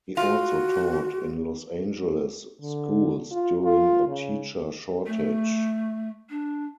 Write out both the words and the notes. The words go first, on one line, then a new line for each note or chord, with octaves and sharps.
He also taught in Los Angeles schools during a teacher shortage.
F4 F#4
D3
F4
F4
C#3
A3
D4